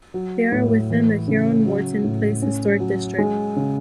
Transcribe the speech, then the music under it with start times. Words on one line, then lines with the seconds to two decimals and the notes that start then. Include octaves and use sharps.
They are within the Herron-Morton Place Historic District.
0.14 F#3
0.52 A2
0.90 E3
1.28 C#3
1.66 F#3
2.04 A2
2.42 C#4
2.80 F#3
3.18 G#3
3.56 C#3